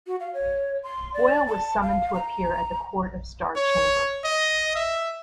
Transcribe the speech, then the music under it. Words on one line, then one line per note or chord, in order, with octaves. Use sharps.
Boyle was summoned to appear at the Court of Star Chamber.
F#4
F5
C#5
C6
D5
A5
F5
A#5
C#5
D#5
E5